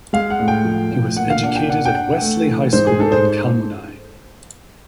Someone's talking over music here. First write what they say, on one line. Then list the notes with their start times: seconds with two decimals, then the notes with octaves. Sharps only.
He was educated at Wesley High School in Kalmunai.
0.13 G#3 F5
0.30 F#5
0.40 A2
0.48 G5
0.65 F3
0.91 A2
1.17 A#2 F#5
1.30 F5
1.43 D4 F#5
1.56 G5
1.69 D4 F#5
1.85 G5
1.95 D4 F#5
2.21 A3
2.47 E3
2.73 G#2 C5
2.87 G#4
2.99 G#2 A4
3.12 C5